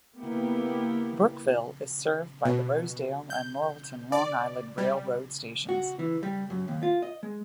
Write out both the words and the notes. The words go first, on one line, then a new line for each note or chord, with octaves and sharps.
Brookville is served by the Rosedale and Laurelton Long Island Rail Road stations.
A#3 B3 E4 G4
B2
G6
D5
G3
F#4
E3
G3
F#2
D#2
F4
D#5
G#3